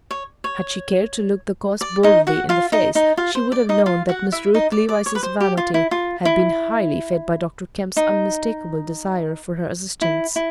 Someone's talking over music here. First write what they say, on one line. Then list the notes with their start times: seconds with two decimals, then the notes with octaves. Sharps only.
Had she cared to look the cause boldly in the face, she would have known that Miss Ruth Levice's vanity had been highly fed by Dr. Kemp's unmistakable desire for her assistance.
0.11 C#5
0.44 C#5
1.81 D5
2.03 D#4 D#5
2.27 F#4 F#5
2.49 F4 F5
2.72 D#4 D#5
2.95 D#4 D#5
3.17 F4 F5
3.35 C5
3.52 D5
3.69 D#4 D#5
3.86 F4 F5
4.09 F#4 F#5
4.32 E4 E5
4.54 D#4 D#5
4.72 D5
4.89 D5
5.06 C#5
5.15 B4
5.23 C5
5.40 G4
5.57 F4
5.74 E4
5.91 F4
6.25 E4
7.97 D#4
10.01 E4
10.36 E4